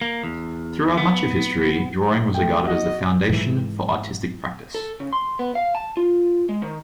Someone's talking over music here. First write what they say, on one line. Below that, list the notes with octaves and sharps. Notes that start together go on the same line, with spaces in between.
Throughout much of history, drawing was regarded as the foundation for artistic practise.
A#3
E2
B3
A3 G5
F#4 D#5
G#2 E3
A4
C#3
C6
B3
F5
A5
F4
G#3
D#3